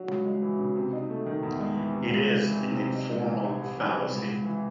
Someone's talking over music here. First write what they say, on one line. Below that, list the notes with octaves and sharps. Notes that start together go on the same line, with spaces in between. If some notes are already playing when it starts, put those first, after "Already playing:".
It is an informal fallacy.
Already playing: F#3
C#2
G#3
E3
C#3
C3
D#4
A3
D#3
E2
G#3
E3
C3
C#2
G#3
E3
C3
C3
D#4
G#3
E3
C2
C2
E3
C3
C#2
C#2
E3